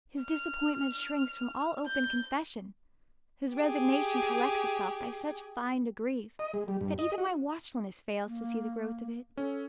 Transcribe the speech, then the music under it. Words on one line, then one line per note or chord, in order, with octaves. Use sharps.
His disappointment shrinks from all open confession; his resignation collects itself by such fine degrees that even my watchfulness fails to see the growth of it.
F6
G6
G4 G#4
D#5
G#3
G3
G2
D#5
F#4
A#3
C#4 A4